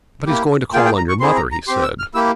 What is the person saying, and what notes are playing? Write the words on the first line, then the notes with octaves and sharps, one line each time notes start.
"But he's going to call on your mother," he said.
A#3 E4 G4
A#3 F4 G#4 G5
G5
A#5
C#6
C4 E4 G#4 C6
A#5
A#5
C4 G4 C6
E6
F6
A#3 E4 G4 E6